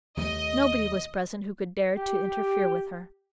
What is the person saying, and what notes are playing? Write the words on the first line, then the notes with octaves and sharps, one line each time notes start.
Nobody was present who could dare to interfere with her.
D#2 C3 A3 D#5
G4